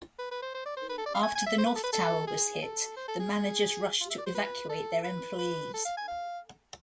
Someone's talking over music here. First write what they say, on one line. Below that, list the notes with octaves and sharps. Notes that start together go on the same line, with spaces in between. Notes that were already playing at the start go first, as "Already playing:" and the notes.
After the North Tower was hit, the managers rushed to evacuate their employees.
B4
B4
C5
C5
D5
C5
B4
A4
D5
F5
G#5
G#5
E5
C5
B4
A4
B4
A4
G#4
A4
C5
A4
G#4
F4
E5
D5
C5
B4
A4
B4
B4
A4
F5
G#5
F5